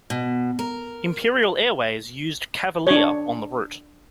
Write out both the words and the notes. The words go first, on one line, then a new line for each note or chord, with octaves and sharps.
Imperial Airways used "Cavalier" on the route.
B2
A#4
D4 C#5